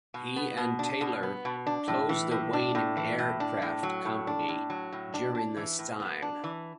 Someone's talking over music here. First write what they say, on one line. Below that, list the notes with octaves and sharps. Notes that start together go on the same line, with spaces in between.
He and Taylor closed the Wayne Aircraft Company during this time.
B2
B3
B2
D4
B2
B3
B2
D4
A2
E3
A2
D4
A2
E3
A2
D4
A2
F#3
A2
D4
A2
F#3
A2
D4
D4
E3
A2
B3
D4
E3